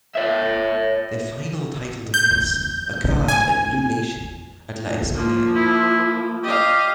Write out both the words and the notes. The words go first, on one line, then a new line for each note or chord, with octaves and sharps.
Their final title defense occurred against Blue Nation at "La Escalera".
C#5 E5
G6
G#5
F3 A#3
E4
G4 D#5 F5